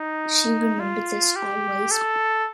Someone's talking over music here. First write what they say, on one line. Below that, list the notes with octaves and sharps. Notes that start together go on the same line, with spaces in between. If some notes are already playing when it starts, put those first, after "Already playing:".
She remembered this always.
Already playing: D#4
F4
G4
A4